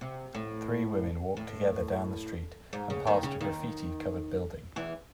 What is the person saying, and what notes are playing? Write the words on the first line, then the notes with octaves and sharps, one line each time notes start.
Three women walk together down the street and past a graffiti covered building.
C3
A2
A2
G#2
C#3
D#2 D#3
C#3
D#2 D#3
E2 E3